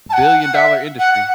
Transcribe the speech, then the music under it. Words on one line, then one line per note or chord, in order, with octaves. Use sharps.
Billion dollar industry.
A5
F#5
F#5
E5
F#5
F#5